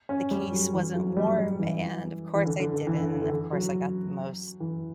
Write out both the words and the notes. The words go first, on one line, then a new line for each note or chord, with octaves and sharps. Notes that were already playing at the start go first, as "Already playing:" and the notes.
the case wasn't warm and of course I didn't and of course I got the most
C#4
G3
F#3
E3
F#3
G3
G3
E3
E3
D3
D3
D3
E3
D3
D3
E3
F#3
E3